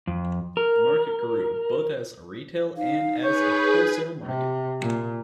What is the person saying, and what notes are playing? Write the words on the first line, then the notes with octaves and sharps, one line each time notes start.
The market grew, both as a retail and as a wholesale market.
F2
A#4
D#4 F5
G#4 B4 C#5 G6
C3
A#2